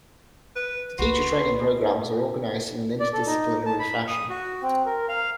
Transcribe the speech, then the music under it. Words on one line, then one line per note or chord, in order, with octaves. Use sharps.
The teacher training programmes are organized in an interdisciplinary fashion.
B4
C#2 F#4 B4 C6
B4
D5
A4
D#4
A5
B5
D#6
F#4
C4
A#4
F5